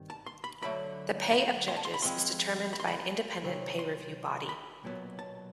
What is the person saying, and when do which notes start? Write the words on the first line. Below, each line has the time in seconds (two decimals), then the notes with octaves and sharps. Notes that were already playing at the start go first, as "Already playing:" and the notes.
The pay of judges is determined by an independent pay review body.
Already playing: G2 D#3 G3 C4
0.10 A5
0.26 C6
0.44 B5
0.61 D2 D3 F#3 A3 B5
1.32 B5
1.68 C6
1.76 A5
1.85 C6
1.94 B5
2.02 C#3 F3 G#3 C4 C6
2.73 B5
2.80 C6
2.87 B5
3.44 C3 D#3 F#3
3.79 C6
4.49 B5
4.84 B1 A#2 F#3 B3
5.19 A5